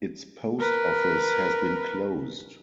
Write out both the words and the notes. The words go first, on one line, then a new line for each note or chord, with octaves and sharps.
Its post office has been closed.
A#4 B4